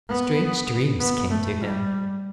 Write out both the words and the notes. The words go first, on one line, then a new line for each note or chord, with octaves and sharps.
Strange dreams came to him.
B3
B3
A3
G3